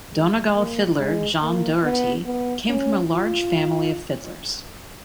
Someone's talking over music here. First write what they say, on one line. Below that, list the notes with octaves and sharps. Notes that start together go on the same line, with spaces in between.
Donegal fiddler John Doherty came from a large family of fiddlers.
G#3
A#3
G#3
A#3
B3
B3
C#4
F4